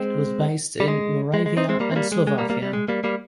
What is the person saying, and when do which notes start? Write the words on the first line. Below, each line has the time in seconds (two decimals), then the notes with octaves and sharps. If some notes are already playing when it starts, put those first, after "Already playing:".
It was based in Moravia and Slovakia.
Already playing: G#3 C4
0.80 G3
0.88 G#3
1.34 G#3
1.46 G#3
1.57 C4 D#4
1.69 G#3 C4
1.80 G3 A#3
1.92 C4
1.96 G3 A#3
2.12 G#3
2.27 G#3
2.38 G3 A#3
2.50 G3 A#3
2.62 G3
2.73 G#3
2.88 G3 A#3
3.04 G3 A#3